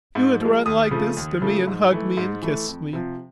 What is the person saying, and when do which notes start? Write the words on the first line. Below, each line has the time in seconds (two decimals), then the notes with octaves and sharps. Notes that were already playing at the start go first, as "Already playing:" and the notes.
You would run like this to me and hug me and kiss me.
0.15 G#2
0.41 F3 G#3
0.66 D#2 D#6
0.91 C#3 F3 A3
1.17 D#2
1.42 C#3 F3 A3
1.67 G#2
1.92 E3 A3
2.17 G#2
2.42 E3 A3
2.68 F2
2.93 C3 F3